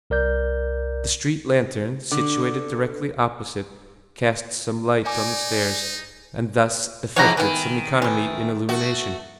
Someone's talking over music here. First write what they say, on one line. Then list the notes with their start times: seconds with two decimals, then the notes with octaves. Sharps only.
The street-lantern, situated directly opposite, cast some light on the stairs, and thus effected some economy in illumination.
0.10 C2 A#4 D5 G6
2.11 D3
5.05 D#4 D5 G#5 D6
7.16 G#2 E3 F3 C#5 F#5 A#5
7.37 D#3 E3 B3
8.02 E3 A3
8.69 A3 F#4